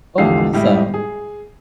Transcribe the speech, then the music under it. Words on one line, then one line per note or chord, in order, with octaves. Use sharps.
Oh, awesome.
A#1 E2 D3 G4 F5 C7
A2 G3 G#3 E4
G#4